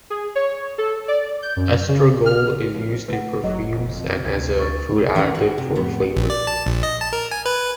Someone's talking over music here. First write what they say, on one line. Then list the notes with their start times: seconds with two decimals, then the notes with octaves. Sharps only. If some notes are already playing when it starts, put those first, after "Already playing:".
Estragole is used in perfumes and as a food additive for flavor.
0.10 G#4
0.35 C#5
0.78 A4
1.08 D5
1.42 G6
1.57 F#2
1.89 C#3
2.26 F6
2.74 F2
3.08 A3 B4 F#5
3.44 F#1 F#3 D#5
3.73 F2
4.25 D2 C3 G#6
4.59 C#6 A6
5.15 D#3 C#4 A4 A#4 F#5
5.35 F#4
5.58 C3
5.75 F2 A2 B3
6.16 A#1
6.30 D5
6.47 A5
6.66 A#1
6.83 D#5
7.01 A5
7.13 A#4
7.31 G#5
7.46 B4